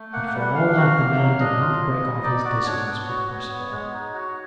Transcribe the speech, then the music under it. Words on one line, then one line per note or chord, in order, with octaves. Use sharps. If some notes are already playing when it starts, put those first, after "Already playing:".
But for all that, the man did not break off his discourse with Perceval.
Already playing: A3
A#3 F#5
F#5
G3
F#5
D4 F5
F#4
A#3
F#3
D4 D#5
F4
A#3
G3
D#4 D5
F#4 D5
D4 C#5
B3
F#4
B3
B3
G#3
D#4
F#4